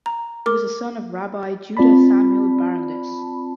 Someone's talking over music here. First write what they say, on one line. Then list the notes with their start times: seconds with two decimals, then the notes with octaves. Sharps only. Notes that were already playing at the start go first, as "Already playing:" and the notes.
He was a son of Rabbi Judah Samuel Barondess.
0.06 A#5
0.46 A#4 D6
1.77 C4 F4 D5 A5 B5